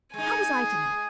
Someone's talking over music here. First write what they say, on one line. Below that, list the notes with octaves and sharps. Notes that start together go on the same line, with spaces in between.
How was I to know?
G#3 D#4 G#5